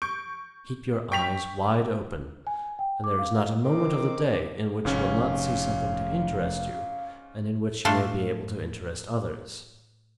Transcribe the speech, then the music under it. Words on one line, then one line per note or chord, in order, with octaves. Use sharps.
Keep your eyes wide open and there is not a moment of the day in which you will not see something to interest you and in which you may be able to interest others.
C#6 G6 D7
G5 C#6 B6 F7
G#5
G5
D6
F5
D#3 C4 D6
F1 G#2 C3 C#4 F5
A2 A3 D4 F4 A4